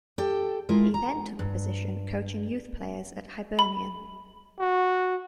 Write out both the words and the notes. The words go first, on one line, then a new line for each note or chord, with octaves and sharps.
He then took a position coaching youth players at Hibernian.
G4 A4 G5
G#3 E4 F4 A#4
A#5
G2
B5
F#4